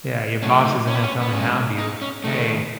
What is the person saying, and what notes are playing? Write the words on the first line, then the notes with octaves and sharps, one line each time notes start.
Yeah, your boss isn't gonna come and hound you, "Hey,
A2 F#3 A3 C#4
D#4
C#4
B3
C#4
B3
B2 G#3 C#4
D#4
C#4
D#3 G#3 A3